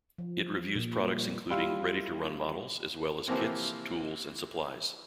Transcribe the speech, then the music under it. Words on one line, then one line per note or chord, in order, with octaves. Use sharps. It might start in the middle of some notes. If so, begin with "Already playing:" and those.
It reviews products including ready-to-run models as well as kits, tools and supplies.
F3
A#2
G3
G3 E4 F4 E5 F5
C3 E3 F3 A#3 C4